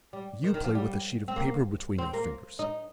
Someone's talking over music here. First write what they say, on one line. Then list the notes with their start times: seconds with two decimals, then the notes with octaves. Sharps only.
You play with a sheet of paper between your fingers.
0.13 G3
0.44 D#3
0.54 D#3
0.64 F3
0.75 G3
1.28 C4
1.36 A#3
1.98 C4
2.13 A#3
2.59 D#4